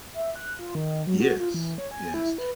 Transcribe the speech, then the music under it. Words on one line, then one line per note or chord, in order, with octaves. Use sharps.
Yes, yes,
E5
F#6
F4
D#3
F#3
F#4
F4
E3
C#5
G#5
E4
B4